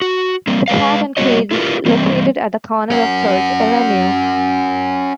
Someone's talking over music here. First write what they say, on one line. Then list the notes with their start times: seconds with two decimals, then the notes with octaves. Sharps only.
The Cat and Cage is located at the corner of Church Avenue.
0.02 F#4
0.47 G3 A#3 C4
0.68 G#3 B4 F5
1.17 G3 B3 F#4 C#5 D#5
1.51 E4 F4 G4 A#4 B4
1.86 E3 G3 A#3 C4
2.91 C#4 F#4